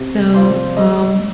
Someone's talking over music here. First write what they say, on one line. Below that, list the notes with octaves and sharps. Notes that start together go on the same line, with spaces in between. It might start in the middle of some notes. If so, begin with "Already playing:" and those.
So, um
Already playing: C3
F3 C4 F4 C5 D5
G#3 D#5